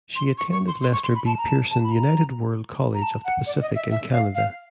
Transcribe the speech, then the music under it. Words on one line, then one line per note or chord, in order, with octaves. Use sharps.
She attended Lester B. Pearson United World College of the Pacific in Canada.
C6
C#6
C#6
C6
C6
C#6
C6
B5
A5
A#5
A5
A5
B5
A#5
A#5
A5
F#5
D5
D#5
E5
E5
F5
F5